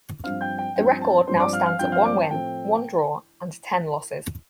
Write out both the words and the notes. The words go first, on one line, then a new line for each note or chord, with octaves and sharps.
The record now stands at one win, one draw and ten losses.
G2 F3 C4 F5 F6
G5 G6
G5
G2 F3 C4 G5
A5
G2 F3 C4 C5 C6
D5 D6
F5 F6
F5 F6
G2 F3 C4 G5 G6
F5 F6
D5 D6
A5
A2 F3 A3 C4 G5